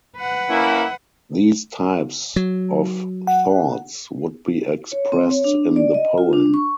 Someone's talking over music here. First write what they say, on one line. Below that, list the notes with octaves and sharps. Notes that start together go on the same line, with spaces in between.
These types of thoughts would be expressed in the poem.
B4 F#5
A#3 C#4 E4
F#3
F#5
C#5
C4
C#5
D4
D5
D#5
F4
D4
C#6